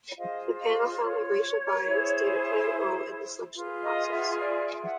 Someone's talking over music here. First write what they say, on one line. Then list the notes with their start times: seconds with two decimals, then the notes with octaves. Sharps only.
The panel found that racial bias did play a role in the selection process.
0.17 F4 G#4 C5 D#5 F5
0.59 D#5 F5
1.02 C#5
1.86 E4 G#4 C5
3.55 F4 G#4 B4
3.83 D#5 F5
4.11 E5 F#5
4.39 D5 E5
4.81 E5 F#5